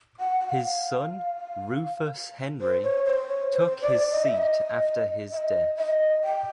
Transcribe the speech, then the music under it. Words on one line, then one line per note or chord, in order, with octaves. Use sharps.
His son, Rufus Henry, took his seat after his death.
F#5
F#5
F5
C5
C#5
C5
C#5
C5
D5
D#5
E5
D#5
E5
D#5
E5
D#5
G5